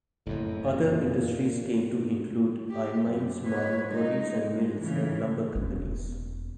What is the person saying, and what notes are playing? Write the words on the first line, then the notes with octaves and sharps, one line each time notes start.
Other industries came to include iron mines, marble quarries and mills, and lumber companies.
F#1 F2 A2
A#2
G4
F#2
B4 C#5
G#3 D#4
G#3
C#3 E3
E1 C#4